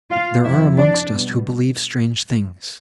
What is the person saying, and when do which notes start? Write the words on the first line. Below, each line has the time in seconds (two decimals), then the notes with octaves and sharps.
There are amongst us, who believe strange things.
0.11 F4 F5
0.44 F2 C3 F3 E4 E5
0.77 D4 D5
1.10 B2 G3